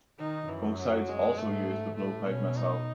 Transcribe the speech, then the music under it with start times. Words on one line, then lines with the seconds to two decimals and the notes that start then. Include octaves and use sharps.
Both sides also used the Blowpipe missile.
0.20 D#3 D#4
0.49 F#2 E3
0.79 F#3
1.09 G#3
1.38 G#2 A3
1.97 A2 A3
2.27 B2 C#4
2.57 D#4